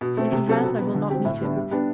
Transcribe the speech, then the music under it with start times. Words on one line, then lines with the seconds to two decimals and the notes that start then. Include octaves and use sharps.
If he has, I will not meet him.
0.01 B2
0.17 A3 C4
0.32 C3
0.48 F#3 C4 F#4 A4
0.63 B2
0.79 F#3 B3
0.95 D3
1.10 F#3 C4 G4
1.25 A2
1.41 G3 B3 D4
1.56 G3
1.71 B3 D4 G4